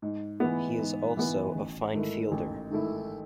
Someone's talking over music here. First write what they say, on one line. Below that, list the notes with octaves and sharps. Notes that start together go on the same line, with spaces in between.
He is also a fine fielder.
G#2
E3 B3
G#2
E3 B3
A1
G#2 D#3 A3 E4
A1
G#2 D#3 A3 E4